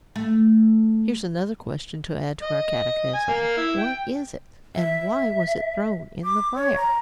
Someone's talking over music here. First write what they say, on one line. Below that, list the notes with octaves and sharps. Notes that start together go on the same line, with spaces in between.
Here's another question to add to our catechism: what is it, and why was it thrown in the fire?
A3
D#5
G#5
A#3
E4
G5
E5
D6
C#5
A#5